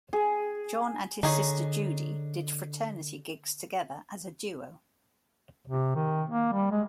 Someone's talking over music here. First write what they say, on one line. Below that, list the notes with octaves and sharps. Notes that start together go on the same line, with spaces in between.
John and his sister Judy did fraternity gigs together as a duo.
G#4
D3 D#4 G#4 C#5
C3
D#3
A#3
G3
G#3